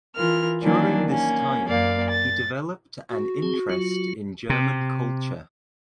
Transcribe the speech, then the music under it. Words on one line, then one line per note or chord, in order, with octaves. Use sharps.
During this time he developed an interest in German culture.
E3 F4 A#4 F6
D#3 E3 F#3 A#3 C#4 D4
A#3 C#4
F#2 A#3 D5 F5
A6
F#4
C4 G#4
F#3 F4
C3